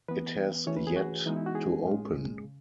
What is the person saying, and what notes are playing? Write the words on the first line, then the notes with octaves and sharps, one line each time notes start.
It has yet to open.
E3 B3 B4
E3 A3 C#4 C#5
B4
G#4
F#4
E3 G#3 B3 D#4
E4
F#4
G#4
A2 G#3 C#4
C#3